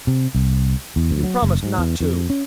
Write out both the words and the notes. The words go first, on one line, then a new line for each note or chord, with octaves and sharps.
"You promised not to!"
C3
C2
E2
D2
F#3
F#1
G#2
E2
F2
C#4